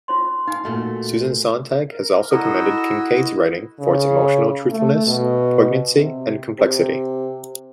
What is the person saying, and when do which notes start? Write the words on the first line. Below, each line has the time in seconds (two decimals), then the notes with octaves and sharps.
Susan Sontag has also commended Kincaid's writing for its "emotional truthfulness," poignancy, and complexity.
0.08 F4 C5 C6
0.47 D#4 F5 G#5
0.64 A#2 A3 F#4
1.92 A#4
2.31 E4 F#4 A4 D#5 A#5 E6
3.80 C#3
4.71 A3
5.07 B2
5.93 C3
6.58 C3